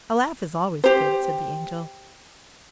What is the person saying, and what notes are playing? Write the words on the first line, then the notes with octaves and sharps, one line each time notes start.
"A laugh is always good," said the Angel.
G4 C5